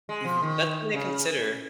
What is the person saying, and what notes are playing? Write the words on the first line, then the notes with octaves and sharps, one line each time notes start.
Mhm, that's something to consider.
G#3
F3
D#3
C#3